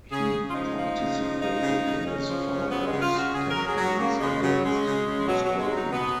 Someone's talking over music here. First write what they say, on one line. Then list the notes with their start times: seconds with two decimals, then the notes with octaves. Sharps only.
He participated in his father's campaigns against Muscovy.
0.11 C#3 G#4
0.33 C#3
0.50 F4
0.54 F3 D#4
0.76 F3
0.98 C#3
1.19 F3
1.41 F3 D#4
1.62 C#3
1.84 C#3
2.05 C#3 C#4
2.27 F3
2.48 C#3
2.70 F#3 B3
2.80 F#3
2.86 G#3
2.91 C#3
3.02 F4
3.12 C#3
3.18 F#4
3.34 C#3 G#4
3.50 A#4
3.56 F#3
3.67 G#4
3.77 F#3 F#4
3.99 C#3 A#3
4.20 C#3 G#3
4.42 C#3 F#3
4.63 C#3 G#3
4.85 C#3
5.06 C#3
5.27 B2 F#3
5.44 F#3
5.49 B2
5.60 G#3
5.71 F#3
5.76 D#4
5.92 B2 B3